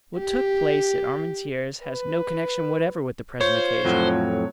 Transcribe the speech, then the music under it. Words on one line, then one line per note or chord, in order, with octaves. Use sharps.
What took place at Armentieres has no connection whatever with the present occasion.
G4
B4
F4 C5 C#5
F2 A2 F#3 F4